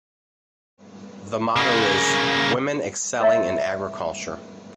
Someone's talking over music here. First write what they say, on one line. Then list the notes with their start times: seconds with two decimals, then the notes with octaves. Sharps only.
The motto is "Women Excelling in Agriculture".
1.56 C#3 A#3
3.20 A#4 C#5 D#5 E5 A#5